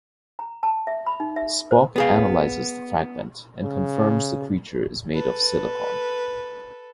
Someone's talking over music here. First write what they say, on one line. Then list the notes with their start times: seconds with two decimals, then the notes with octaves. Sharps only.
Spock analyzes the fragment, and confirms the creature is made of silicon.
0.39 A#5
0.63 A5
0.87 E5
1.06 B5
1.20 D#4
1.36 E5
1.71 C5
1.96 B3 G#4 F5
3.63 C#3
5.14 A4 B4